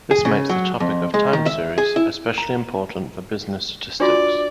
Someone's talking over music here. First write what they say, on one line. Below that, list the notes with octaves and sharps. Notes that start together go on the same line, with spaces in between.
This makes the topic of time series especially important for business statistics.
G#4
C#3
F#3
F2
G#3
D#3
E5
G#4
E4
A#5
D4 F4 F#4 D5